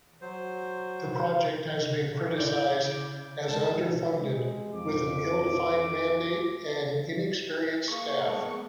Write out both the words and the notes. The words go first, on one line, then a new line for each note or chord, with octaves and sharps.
The project has been criticized as underfunded, with an ill-defined mandate and inexperienced staff.
F#3 C5
C#3 E4 D5 E5 D6 G6
G#3 A5
G#3
F2 D6
A#3 G#4 C#6
G#3 A3 B3 A#4